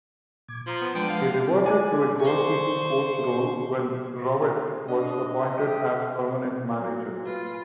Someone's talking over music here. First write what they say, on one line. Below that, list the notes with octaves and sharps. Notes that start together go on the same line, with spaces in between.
He reverted to a goalkeeping coach role when Rowett was appointed as permanent manager.
A#2 D6 G#6
F3 A#5
B3
D3 F3 G#3 B4 G5
F5
D5 G#5
C5 C#6
D4 D#5
G4 E5
F#3 F#4
F4 B4